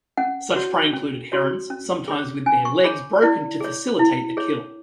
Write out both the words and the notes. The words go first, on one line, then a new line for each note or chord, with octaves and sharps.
Such prey included herons, sometime with their legs broken to facilitate the kill.
C#4 F#5
F#4 C#5
C#4
F#4 C#5
C#4
G#4 C#5
C#4 G#5
C#6
G#4 C#5 B5
E4 D5
G#4 C#5
E4
G#4 C#5